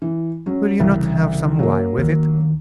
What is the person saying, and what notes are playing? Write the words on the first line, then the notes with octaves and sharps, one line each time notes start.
"Will you not have some wine with it?"
E3
F#3 C#4
C2 C#3 E3 G3
F#3 A#3
D2 D#3